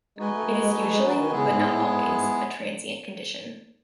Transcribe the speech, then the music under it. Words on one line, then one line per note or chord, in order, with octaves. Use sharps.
It is usually, but not always, a transient condition.
G#3 D#4 F#4 B4 D#5 G#5
A3
G#3
G#3
A3
F#3
G#3
F#3
D#3
C#3 G#3 B3 E4 G#4
A2
G#2
A2
G#2
F#2
G#2